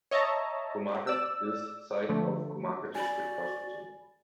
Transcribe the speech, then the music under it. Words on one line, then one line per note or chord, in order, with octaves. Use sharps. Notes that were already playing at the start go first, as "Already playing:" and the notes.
Kumaka is site of Kumaka District Hospital.
C#5 D#5 E5 A5 A#5
D5 E6
D3 F3 A3
F#4 D5 G#5 B5